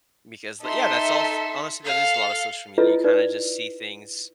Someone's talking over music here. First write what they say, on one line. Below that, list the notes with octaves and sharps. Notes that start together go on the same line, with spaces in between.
because l yeah, that's all s honestly, that is a lotta social media. You kinda just see things,
D#4 A4 E5 C6
A4 F5
E4 F4 A4 B4 C#5 D#5
D#4 B4 D5